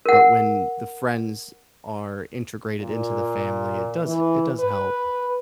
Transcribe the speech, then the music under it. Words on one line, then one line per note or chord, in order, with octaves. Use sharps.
but when the friends are integrated into the family, it does it does help.
A#4 F#5
A#2
E3
B4